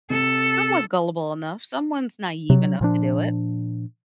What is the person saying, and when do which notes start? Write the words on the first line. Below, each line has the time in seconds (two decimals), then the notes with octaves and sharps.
Someone's gullible enough, someone's naive enough to do it.
0.10 C3 A4
2.50 C3 F#3
2.81 A#2 F3 D4